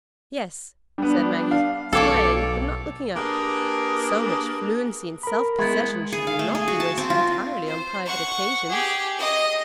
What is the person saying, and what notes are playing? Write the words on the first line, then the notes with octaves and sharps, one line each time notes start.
"Yes," said Maggie, smiling, but not looking up; "so much fluency and self-possession should not be wasted entirely on private occasions."
G3 B3 D4
F5
B1 A4 C#5 D5 F5 G5 D6
A#3 D4 G4 G#4 A#4 B4
A#4 B5
G#3 B3 E4
G#4
F5
A3
G#4
F#4
A5
C4
F4
C5
F#5 C#6
G4 G#4
D#5 D#6